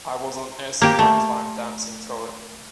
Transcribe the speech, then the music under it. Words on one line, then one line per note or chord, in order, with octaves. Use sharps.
I was on acid one time dancing to it.
A#3 G4
A3